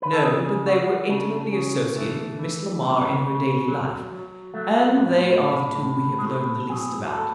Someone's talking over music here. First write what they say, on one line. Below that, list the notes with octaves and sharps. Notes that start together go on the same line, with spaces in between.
"No, but they were intimately associated with Miss Lamar in her daily life and they are the two we have learned the least about."
B4
A4
C#3 G#4
E3 F#4
C#3 D4
C#3 C#4
E3 A3
E3
C#3
C#3
F#3
F#3
F#3 A3
A2
A2
A2
G#3
A2 A3
F#3 G#4
A2 A4